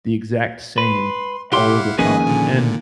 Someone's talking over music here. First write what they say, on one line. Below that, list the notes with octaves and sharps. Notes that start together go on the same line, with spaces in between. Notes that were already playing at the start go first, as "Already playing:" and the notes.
the exact same all the time. And
B4 C6
B1 E4 G4 F5 F#5 C6 D6
D#3 F3 A#3 C#4 G#4 B4 D#5 G#5
A#2 D3